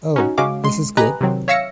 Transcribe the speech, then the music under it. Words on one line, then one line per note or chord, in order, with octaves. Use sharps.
Oh! This is good.
C#4 D#4 F#4
C#3 G#3 C#4 F#4 F5 D6
G#3 C6
G4 B4 D#5 G#5 A#5 F#6
C3 D#3 F#3 C4
C#5 E5 F5 E6 A#6 C#7